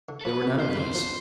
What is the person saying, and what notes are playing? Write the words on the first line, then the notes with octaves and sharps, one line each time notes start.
There were none of these.
D3
A4
F3 B4
B3
D3 C5
B4
D3 C5
F3